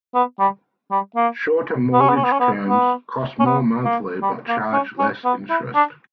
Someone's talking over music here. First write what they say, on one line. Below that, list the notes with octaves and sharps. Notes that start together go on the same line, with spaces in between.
Shorter mortgage terms cost more monthly but charge less interest.
B3
G3
G3
A#3
B3
C#4
B3
C#4
B3
C#4
B3
B3
C#4
B3
A#3
G3
A#3
C#4
C#4
B3
E4
D4